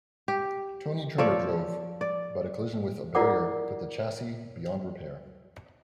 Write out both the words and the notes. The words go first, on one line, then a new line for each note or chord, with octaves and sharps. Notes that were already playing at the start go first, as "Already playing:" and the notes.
Tony Trimmer drove but a collision with a barrier put the chassis beyond repair.
G4
F3 A4 C#5 D5
D5
E4 F4 A#4 D5 F#5 D6